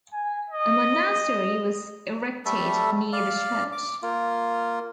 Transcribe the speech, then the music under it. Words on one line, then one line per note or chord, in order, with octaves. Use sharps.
A monastery was erected near the church.
G#5
D#5
G3 A3 A4 E5
D5 F5
D6
A#3 F4